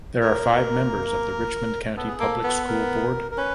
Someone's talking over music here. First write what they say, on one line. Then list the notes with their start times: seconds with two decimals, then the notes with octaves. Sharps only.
There are five members of the Richmond County Public School board.
0.21 A#4
0.56 A#3
1.97 B3 A4
2.08 G#4
2.19 A#3 A4
2.44 B3
2.68 A#4
3.31 A#4
3.38 C#4 B4